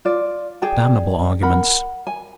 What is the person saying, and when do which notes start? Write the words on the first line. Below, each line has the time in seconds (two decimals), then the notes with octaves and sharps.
Damnable arguments!
0.05 F4 D5
0.62 G#4 D5 G5 A5
1.42 A#4 F#5 B5
2.07 G#5